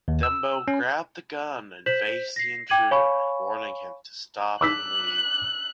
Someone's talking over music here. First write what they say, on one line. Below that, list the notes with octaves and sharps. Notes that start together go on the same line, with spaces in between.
Dembo grabbed a gun and faced the intruder, warning him to stop and leave.
D#2
E6
C#4
C5 G6 B6 E7 F#7
A#6 C7
G5 D6 G#6 D#7 F#7
C#5 F5 G#5 B5 C#6
D6 E6 F#6 B6